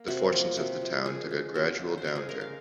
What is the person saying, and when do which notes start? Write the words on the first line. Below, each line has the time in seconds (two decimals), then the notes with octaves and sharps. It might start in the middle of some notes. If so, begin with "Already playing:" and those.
The fortunes of the town took a gradual downturn.
Already playing: A#3
0.08 C3 F#4
0.32 F3 A#3
0.57 C3 F#4
0.82 F3 A#3
1.06 C#3 G#4
1.31 G#3
1.55 C#3 F#4
1.79 G#3
1.98 C5
2.04 C#3 A#4
2.16 G#4
2.29 G#3 A#4
2.41 F5